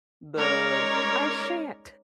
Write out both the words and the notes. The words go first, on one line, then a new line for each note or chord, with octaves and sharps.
the "I shan't,
G#3 C#4 D#4 A#4 C#5 D5